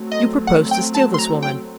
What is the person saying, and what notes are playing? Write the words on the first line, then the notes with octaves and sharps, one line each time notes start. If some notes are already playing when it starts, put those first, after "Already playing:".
You propose to steal this woman.
Already playing: F#3 A3 C4
D#5
F#5
G5
A5
C6
A#5
G5